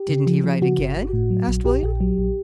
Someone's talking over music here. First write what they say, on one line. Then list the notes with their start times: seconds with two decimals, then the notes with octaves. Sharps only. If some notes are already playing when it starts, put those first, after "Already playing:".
"Didn't he write again?" asked William.
Already playing: G4
0.09 C#3
0.27 F3
0.44 F3
0.62 C#3 F#4
0.79 G1
0.97 G1
1.13 A2
1.30 F#3
1.48 A#1
1.65 A#1 G4
1.83 A#1
2.00 F#3
2.18 A#1